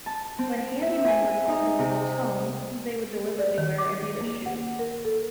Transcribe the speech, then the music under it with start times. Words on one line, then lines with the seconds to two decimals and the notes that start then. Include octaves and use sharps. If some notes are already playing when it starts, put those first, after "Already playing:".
When handymen were called to Rudolf's home, they would deliberately wear Adidas shoes.
0.06 A5
0.39 C4
0.82 E5
1.08 G#5
1.48 D#4
1.79 C3
3.38 D5
3.58 D#3
3.78 D6
4.21 A#3
4.46 F#5
4.79 A#4
5.05 A4